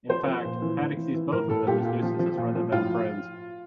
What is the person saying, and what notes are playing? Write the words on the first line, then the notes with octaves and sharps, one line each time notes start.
In fact, Haddock sees both of them as nuisances rather than friends.
F3 C5
F3
A#2
E3
A2
E3
E3
A2 A#4
A2 A4
A#2 G4
A#2
F3
F3
A#2
F3
A2 F4